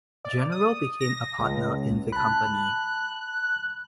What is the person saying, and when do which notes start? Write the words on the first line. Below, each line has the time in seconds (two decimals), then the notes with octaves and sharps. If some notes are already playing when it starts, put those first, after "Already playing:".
General became a partner in the company.
0.25 D5
0.52 D#6
1.00 A#6
1.39 C#2
2.12 A5 B5 F#6